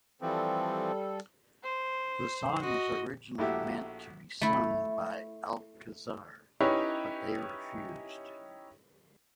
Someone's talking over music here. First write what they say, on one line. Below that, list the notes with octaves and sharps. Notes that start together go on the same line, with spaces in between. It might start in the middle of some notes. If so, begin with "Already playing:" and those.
The song was originally meant to be sung by Alcazar but they refused.
E3 F3 G3 C4 A4
C5
F#4 D#5
A#1 A3 E4 F#4 G4 E5
A3 E4
C#4 D#4 E4 G4 B4 C#5